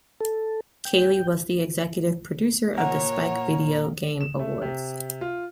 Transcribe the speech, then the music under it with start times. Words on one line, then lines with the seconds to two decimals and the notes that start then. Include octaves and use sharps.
Keighley was the executive producer of the Spike Video Game Awards.
0.21 A4
0.85 G5
2.78 A#2 A#3 C#5 F#5 A#5
4.21 E7
4.39 A3
4.62 C3
5.21 F4